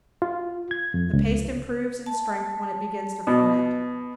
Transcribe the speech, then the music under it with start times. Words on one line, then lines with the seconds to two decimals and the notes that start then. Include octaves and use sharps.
The paste improves in strength when it begins to ferment.
0.22 F4
0.71 G#6
0.94 F2
1.13 C#2
2.06 A5
3.27 B2